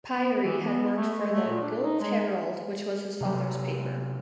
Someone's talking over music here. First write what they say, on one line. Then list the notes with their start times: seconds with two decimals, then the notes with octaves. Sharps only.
Pirie had worked for the "Guelph Herald" which was his father's paper.
0.15 B3
0.44 E3
0.64 B3
0.96 A3
1.17 G#3
1.33 A3
1.47 A#2
1.62 D4
1.82 D#4
2.00 G#3
3.21 C3 F#3